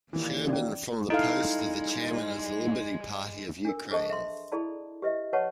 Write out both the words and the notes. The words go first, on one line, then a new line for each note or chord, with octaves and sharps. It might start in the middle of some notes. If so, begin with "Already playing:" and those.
Scherban from post of the Chairman of the Liberty Party of Ukraine.
D#2 A#2 E3
C#4 D5
G3 G#3 D#4 E4 A4 F5
D4 A4 A#4
G#4 A4 C5 D#5 A5 C#6
E5 C6
E4 G#4 A4 D5 A5 B5
G4 B4 D#5 E5
B4 C#5 D#5 F#5 A5 C#6